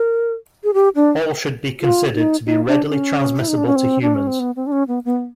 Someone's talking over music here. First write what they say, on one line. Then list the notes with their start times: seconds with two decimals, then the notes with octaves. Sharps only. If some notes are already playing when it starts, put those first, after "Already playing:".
All should be considered to be readily transmissible to humans.
Already playing: A#4
0.64 G#4
0.74 G4
0.95 D4
1.81 F4
2.14 D#4
2.46 D#4
2.67 D4
2.89 C#4
3.39 E4
3.48 D#4
3.57 D4
3.66 C#4
3.76 C4
4.02 D4
4.14 C#4
4.27 C4
4.40 B3
4.56 C4
4.67 D4
4.72 C#4
4.88 B3
5.05 B3